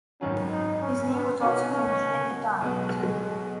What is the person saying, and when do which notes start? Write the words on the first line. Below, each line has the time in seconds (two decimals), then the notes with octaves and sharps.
His name was also mentioned in "The Times".
0.21 G#1 F#2 D#3 F#3 C#4
0.51 D#4
0.81 C#4
1.12 B3
1.41 B2 B3 C#4 D#4 F#4
1.71 C#4
2.61 B1 B2 G#3 B3